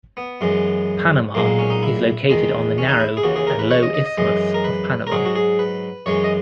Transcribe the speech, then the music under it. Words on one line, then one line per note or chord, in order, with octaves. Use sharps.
Panama is located on the narrow and low Isthmus of Panama.
B3
F#2 E3 G#3
B1 A#2 G#3 A#3
A#3
C#4
D#4
E4
E2 D#3 G#3
C#4
D#4
E4
G#4
D#2 C#3 E3 F#4
G#4
A#4
B4
C#5
D#5
D#5
D#5
F#2 E3 G#3 D#5
A#4
B4
A#4
G#2 F#3 G#4
F#4
G#4
B4
F#2 E3 G#3 C#5
D#5